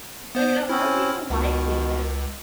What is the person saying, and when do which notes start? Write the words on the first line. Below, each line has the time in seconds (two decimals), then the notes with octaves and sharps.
I mean, a lotta people like it.
0.35 B3 C5
0.69 C4 C#4 E4
1.30 C#2 B2 D#3